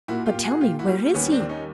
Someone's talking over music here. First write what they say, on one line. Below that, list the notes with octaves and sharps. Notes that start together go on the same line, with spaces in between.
But tell me where is he?
A#2 E4 F#4
F4 G4
A#2
F#4 G#4
A#2 F4 G4
E4 F#4
G3
D#2 B3 C#4
C4 D4
D#2
C#4 D#4